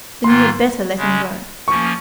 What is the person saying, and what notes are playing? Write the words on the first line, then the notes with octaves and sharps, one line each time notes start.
"Then you had better let him go."
G#2 D#3 A#3 F4 C6
C#3 G#3 C#4
F3 A#3 C#4 C#6